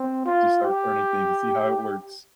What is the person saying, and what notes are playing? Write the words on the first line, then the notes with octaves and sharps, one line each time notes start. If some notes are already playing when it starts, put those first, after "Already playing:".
Just start turning things to see how it works.
Already playing: C4
F4
G4